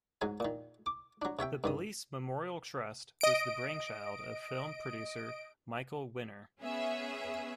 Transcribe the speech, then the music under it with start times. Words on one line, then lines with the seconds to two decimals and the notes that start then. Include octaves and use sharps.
The Police Memorial Trust was the brainchild of film producer Michael Winner.
0.21 G#2 F#3 G#5
0.40 A#2 D#3
0.86 D6
1.22 F#3 D4
1.39 C3 C#5 E5 G5
1.64 G2 D#3 D#6
3.21 D#5 D7
6.61 B3 C#4 G#4 E5